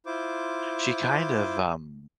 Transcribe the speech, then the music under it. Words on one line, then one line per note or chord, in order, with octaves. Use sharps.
she kind of, um,
E4 F4 C5 D6